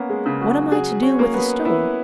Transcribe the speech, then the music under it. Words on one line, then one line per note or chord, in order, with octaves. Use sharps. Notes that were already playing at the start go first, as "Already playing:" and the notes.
"What am I to do with a stone?"
Already playing: A#3 B3 C#4 A#4 C#5
G#3 G#4
C#3
F#3 F#4
F#3 F#4 G#4
C#4 C#5
A#3
B3 B4
B3 E4 B4